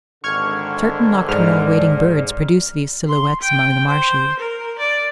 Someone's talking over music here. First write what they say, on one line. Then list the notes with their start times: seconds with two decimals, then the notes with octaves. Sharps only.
Certain nocturnal wading birds produce these silhouettes among the marshes.
0.24 G#1 D3 C#6 F6 G#6
1.29 G#2 D5 F6
3.07 C6
3.41 G5
3.87 C5
4.39 A#4
4.78 D5